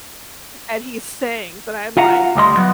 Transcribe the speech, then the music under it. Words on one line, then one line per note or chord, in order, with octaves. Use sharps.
and he sings, and I'm like,
F4 F5 F#5 A#5
D2 G3 D#5 C6
F#3 B3